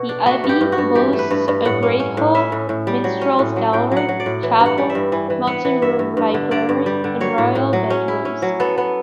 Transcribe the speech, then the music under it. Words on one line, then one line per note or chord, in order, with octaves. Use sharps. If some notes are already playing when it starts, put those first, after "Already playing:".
The abbey boasts a great hall, minstrels' gallery, chapel, multi-room library, and royal bedrooms.
Already playing: B2 F#4 A4
D4
A3 F#4
G2
G4
G2
F#4
G2
E3 G4
A3
B4
G2
G2
A2 F#5
C#4
C#4
A2
C#4 E5
A2
A2
G3
F#3
C#4
A2
F#3
A2 G5
F#3 F#5
F#3
D5
A2
E3
G2
F#5
G3
E5
G2
E3
E3
B3 F#5
E3
G2 E5
G2
G2
D3
D3 D5
G2
G3
D3
F#3 C#5
A2
A2
F#3
C#4
E4
C#4
F#3
B3 A4
B3